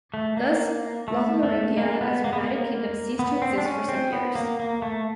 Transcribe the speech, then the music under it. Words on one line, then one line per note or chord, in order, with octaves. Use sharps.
Thus Lotharingia, as a united kingdom, ceased to exist for some years.
A3
A#3
A3
A3
A#3
B3
A#3
B3
A#3
B3
C4
D4
C#4
C4
B3
A#3
A#3
A3